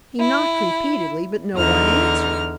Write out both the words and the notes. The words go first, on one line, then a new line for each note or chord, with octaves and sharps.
He knocked repeatedly but no one answered.
E4
E2 D3 D#4 F6